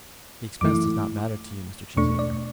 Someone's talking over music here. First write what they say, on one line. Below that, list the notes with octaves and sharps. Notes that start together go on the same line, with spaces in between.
"The expense does not matter to you, Mr. Cheesacre."
F#2 E3 A3 E4 D6
E2 B2 A3 D4 C#6
D5